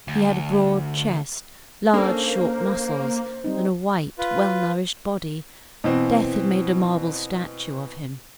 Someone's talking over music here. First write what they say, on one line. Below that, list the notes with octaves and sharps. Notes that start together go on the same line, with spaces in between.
He had a broad chest, large short muscles, and a white, well-nourished body; death had made a marble statue of him.
D2
A#3 C#4 D4 A4 C5
G3 C4 D#4
F4 B4
B2 E3 C4